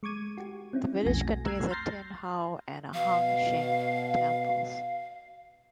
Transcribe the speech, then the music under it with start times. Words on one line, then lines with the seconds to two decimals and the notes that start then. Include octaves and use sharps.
The village contains a Tin Hau and a Hung Shing temples.
0.03 G#3 C#6 D6 G#6 D#7
0.37 F#4 G4
0.73 C4 C#4 E4
1.06 B1 F2 A3 F#4 G#5 A#6
1.45 A#5 E6 F#6 G#6 C7
1.71 C6 F6 G6 A6 A#6 C7
2.94 B2 F5